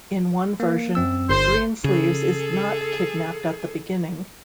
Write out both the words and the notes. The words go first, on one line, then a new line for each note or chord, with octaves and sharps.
In one version, Greensleeves is not kidnapped at the beginning.
A#3
F#2 C4 E6
G1 C5
C#3 G#4 A4